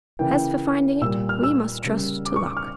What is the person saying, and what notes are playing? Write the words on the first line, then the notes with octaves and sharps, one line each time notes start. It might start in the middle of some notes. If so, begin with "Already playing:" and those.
"As for finding it, we must trust to luck."
C#3 E3 A#3 G5
A#2 G3 A#3 E6
F6
E6
C#3 G3 A#3
D6
C#6
D6
F6